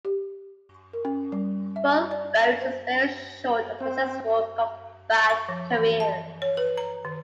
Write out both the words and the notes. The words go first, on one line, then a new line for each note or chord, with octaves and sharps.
Both boats experienced short, but successful combat careers.
G4
A#4
C#4
G3
E5
D5
C5
C4 C5
C#6
F3
E3
A5
C#5
B4
A#5
D#3